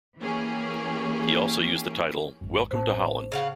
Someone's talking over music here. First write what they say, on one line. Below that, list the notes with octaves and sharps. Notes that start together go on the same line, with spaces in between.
He also used the title "Welcome to Holland".
E3 A#3 C#4 G4 G#4
G#1 F#2
A1 A2 C4 C5 A5
C#3 F5 F#5